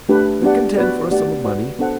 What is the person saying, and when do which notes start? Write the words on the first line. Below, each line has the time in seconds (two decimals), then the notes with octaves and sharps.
They contend for a sum of money.
0.09 A3 D4 G4 B4
0.42 B3 D4 G4 D5 F#5
0.77 B3 F#4 B4 D5
1.11 A3 D4 G4 D5 F#5
1.44 F#4 B4 D5 F#5
1.79 B3 D4 A4 C5 F#5